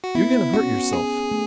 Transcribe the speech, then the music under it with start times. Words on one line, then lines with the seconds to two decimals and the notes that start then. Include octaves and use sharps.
You're going to hurt yourself.
0.04 F#4
0.15 B3 E4
0.54 C#4 F#4
0.93 G#4
1.31 A3